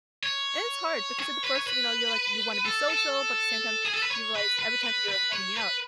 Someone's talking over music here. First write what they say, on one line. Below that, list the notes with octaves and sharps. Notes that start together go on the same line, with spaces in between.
And it's hard because at the first you know, you're like, you wanna be social, but the same time, you realize every time you're hanging out,
C#5
C#5
B4
C#5
B4
A4
A4
G#4
A4
B4
C#5
B4
B4
B4
B4
C#5
B4